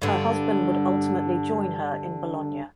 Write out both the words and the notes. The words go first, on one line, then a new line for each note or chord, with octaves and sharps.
Her husband would ultimately join her in Bologna.
G2 D3